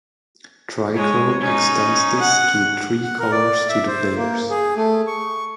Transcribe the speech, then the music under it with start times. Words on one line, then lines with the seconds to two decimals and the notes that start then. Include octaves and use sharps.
Trichrome extends this to three colors to the players.
0.95 G#3 C#5
1.41 C#4 D#4
2.19 F#5
3.03 F#5
3.19 A#4
3.32 D5
3.69 E5
3.87 C5
4.16 A#3
4.50 G#4
4.77 A3
5.07 C#6